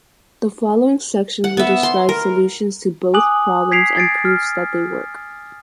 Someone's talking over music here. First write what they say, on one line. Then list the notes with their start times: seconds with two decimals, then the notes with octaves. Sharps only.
The following sections will describe solutions to both problems and proofs that they work.
1.44 F#5
1.57 B3 E5
1.83 C6
2.09 A#4
3.14 G#5 D6 D#6 F#6 F#7
3.72 G#6 B6 C7 D7 F7
3.96 G#6 A6 C7 D7
4.25 F6